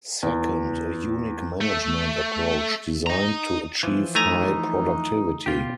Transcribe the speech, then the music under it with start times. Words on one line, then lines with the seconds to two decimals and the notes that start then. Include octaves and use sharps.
Second, a unique management approach designed to achieve high productivity.
0.23 E2
1.61 A3
3.06 D#5 A#5
3.83 E3 F3
4.15 A3 D#4 G#5 A#5
5.46 B2 F4 G4